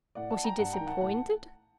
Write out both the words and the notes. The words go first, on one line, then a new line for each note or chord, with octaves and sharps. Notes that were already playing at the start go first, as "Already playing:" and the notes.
Was he disappointed?
A2 D5 F#5
F#5 A5
G5 A#5
G2 F#5 A5
G5 A#5
D#3
F#5 A5
A2 F#5 A5